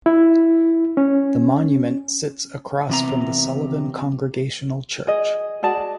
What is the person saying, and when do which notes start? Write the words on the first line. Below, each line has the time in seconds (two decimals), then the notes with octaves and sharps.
The monument sits across from the Sullivan Congregational Church.
0.06 E4
0.97 C#4
2.89 E2 C3 A#5
5.07 G#4 D#5
5.63 F#4 G#4 D5 A5